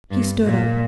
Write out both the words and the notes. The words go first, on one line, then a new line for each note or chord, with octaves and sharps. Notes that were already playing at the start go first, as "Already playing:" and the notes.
He stood up.
G2
A#2